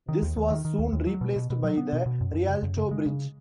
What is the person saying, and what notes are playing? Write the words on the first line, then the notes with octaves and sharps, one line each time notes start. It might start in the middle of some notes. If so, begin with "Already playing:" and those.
This was soon replaced by the Rialto Bridge.
D#3
D#2
D#2
D#3
D#3
D#2
D#2
F#3
B2
B2
B2
F#3
B3
B2
B2
F#2
F#2
C#3
F#2
C#3
G#3
C#3